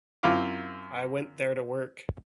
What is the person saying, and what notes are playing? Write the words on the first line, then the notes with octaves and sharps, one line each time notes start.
I went there to work.
F#2 C4 E4 F4 F5 D6